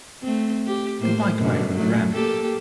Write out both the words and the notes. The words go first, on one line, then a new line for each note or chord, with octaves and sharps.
A bike rider on a ramp.
A3 C4
G4
A2 A#3 C5
F#2 B2 D3
F#3 A3
A#3 G4 A4